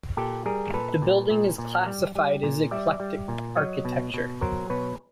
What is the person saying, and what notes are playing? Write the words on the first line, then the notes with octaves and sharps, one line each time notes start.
The building is classified as eclectic architecture.
A#2 G4 A4
G3 G#4 A#4
A#2 A4 B4
A#2
A#2
A#2
G3
G3
A#2
G3 D5 E5
G3
A#2
F#3 C#5 D#5
B2
B2
F#3 A#4 C5
B2 B4 C#5